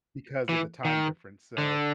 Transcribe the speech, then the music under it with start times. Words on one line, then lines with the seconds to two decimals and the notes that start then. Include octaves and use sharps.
because of the time difference, so,
0.49 E3
0.85 D#3
1.58 D3